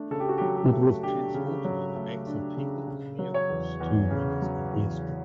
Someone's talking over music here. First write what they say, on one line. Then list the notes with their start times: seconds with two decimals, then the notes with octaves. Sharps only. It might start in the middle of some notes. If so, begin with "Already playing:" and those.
It was transported on the backs of people or mules to rivers and airstrips.
Already playing: A3 D4
0.11 C#3 A4
0.20 G4
0.29 F#4
0.38 F#3 G4
0.57 G4
0.73 A3
1.03 D4 G4
1.34 C#3
1.65 F#3
1.96 A3
2.27 D4
2.57 C#3
2.88 C#3
3.19 F#3
3.34 C#5
3.50 E2
3.80 E2
4.11 C#3
4.42 F#3
4.73 E2